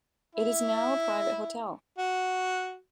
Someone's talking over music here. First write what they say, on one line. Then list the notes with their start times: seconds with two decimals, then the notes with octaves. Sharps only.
It is now a private hotel.
0.35 E4
1.98 F#4